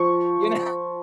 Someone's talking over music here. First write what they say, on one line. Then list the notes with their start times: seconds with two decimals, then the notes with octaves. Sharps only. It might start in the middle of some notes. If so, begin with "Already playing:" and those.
you know?
Already playing: F3 C#6